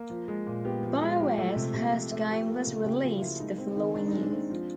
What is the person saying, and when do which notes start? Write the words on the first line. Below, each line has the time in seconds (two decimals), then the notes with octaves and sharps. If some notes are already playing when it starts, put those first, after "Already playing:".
BioWare's first game was released the following year.
Already playing: A#3
0.10 F3
0.28 G#3
0.46 A#2
0.65 B3 G4
0.83 F3
1.01 G#3
1.20 F3 G4
1.38 A3
1.56 C3
1.74 C3
1.93 F3
2.12 A3
2.30 F3 G4
2.48 A#3
2.67 C#3
2.84 C#3 G4
3.03 F3 F#4
3.17 F4
3.21 A#3 E4
3.40 G#3 D#4
3.58 C4
3.76 D#3
3.95 D#3 D4
4.08 G#3 D#4
4.22 D4
4.31 C4
4.50 F3